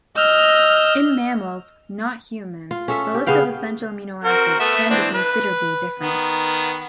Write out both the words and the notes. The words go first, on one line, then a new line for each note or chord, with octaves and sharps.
In mammals, not humans, the list of the essential amino acids can be considerably different.
D#5 E6 F6 G6
F4
C#4 A4 E5
G4
C#3 B3 F5 G5
C4 F#4 A#4
A3 B3 E5
E3 C4 D4
B4
D#3 B3